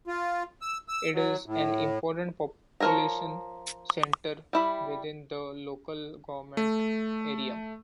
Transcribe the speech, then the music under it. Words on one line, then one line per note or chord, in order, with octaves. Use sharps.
It is an important population centre within the local government area.
F4
E6
E6
F#3
A2
F3 A4 A#4 C#5 A#5
G3 E4 B5
A3